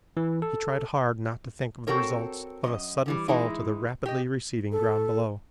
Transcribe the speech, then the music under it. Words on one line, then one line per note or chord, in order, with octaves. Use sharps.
He tried hard not to think of the results of a sudden fall to the rapidly receding ground below.
E3
A4
C4 F#4 A4 A#4 C#5
F#2 D#5
D3 E3 G3
E3 G#3 D#4 E4
G4 D#5
A4